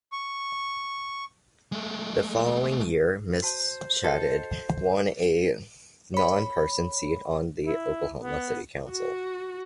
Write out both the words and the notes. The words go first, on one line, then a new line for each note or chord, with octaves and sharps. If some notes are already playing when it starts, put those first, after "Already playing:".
The following year, Mr. Shadid won a non-partisan seat on the Oklahoma City Council.
C#6
G#3 A3
F#4 C5 A5
F#4 A4 D#5 F#5
C#5 B5
E4
B3
F#4